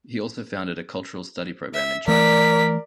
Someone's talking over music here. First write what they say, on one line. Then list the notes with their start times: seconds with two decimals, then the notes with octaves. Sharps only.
He also founded a cultural study program in China.
1.74 E5
2.08 E3 A3 A#4 D5 B6